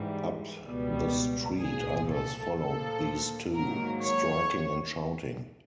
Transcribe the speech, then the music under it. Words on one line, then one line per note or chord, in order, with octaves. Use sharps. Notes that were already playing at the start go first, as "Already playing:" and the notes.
Up the street others followed these two, striking and shouting.
Already playing: G#2 E3 G3
C#2 B2 G3 B3
C2 A#2 F3 G#4
A4
A#2 F3 A#3 A4
G#2 D#3 F#3 A#3 A#4
C#5